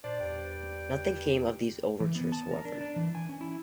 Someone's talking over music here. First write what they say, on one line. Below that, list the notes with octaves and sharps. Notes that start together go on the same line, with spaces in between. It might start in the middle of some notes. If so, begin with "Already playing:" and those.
Nothing came of these overtures however.
A#2 D4 C5 D5
E2 G2 G5
E3
B3
A5
A#4
D4
D4
E3
G#5
C#4
E4